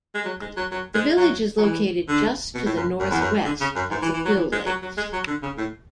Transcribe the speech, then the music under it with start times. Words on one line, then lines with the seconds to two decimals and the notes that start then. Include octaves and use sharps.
The village is located just to the northwest of the Quill Lakes.
0.14 G#3
0.25 F#3
0.41 G#3
0.57 F#3
0.72 F#3
0.95 G#3
1.17 F#3
1.58 F#3
1.63 E3
2.08 D3
2.54 B2
2.65 A2
2.77 F#2
3.00 F#2
3.11 E2
3.21 F#2
3.45 D3
3.61 C#3
3.75 F#2
3.91 G#2
4.02 E3
4.13 E3
4.25 F#3
4.36 E3
4.52 G#3
4.66 F#3
4.82 F#3
4.97 G#3
5.13 F#3
5.28 D3
5.43 C#3
5.57 A2